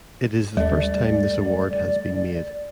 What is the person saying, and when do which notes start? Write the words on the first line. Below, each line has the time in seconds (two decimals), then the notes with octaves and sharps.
It is the first time this award has been made.
0.57 D#2 G3 A3 D5